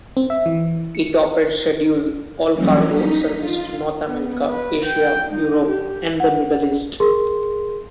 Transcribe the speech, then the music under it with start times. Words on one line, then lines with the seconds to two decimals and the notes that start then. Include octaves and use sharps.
It operates scheduled all-cargo services to North America, Asia, Europe, and the Middle East.
0.17 C4
0.30 E5
0.46 E3
0.95 C#7
2.53 E3 F#3 G3 A#3 C#4
2.90 D#4 B6
3.39 F4
4.04 B3
4.49 B4
4.86 G5
5.28 D#4
5.69 G4
6.20 F#5
7.00 G#4 A#4 C6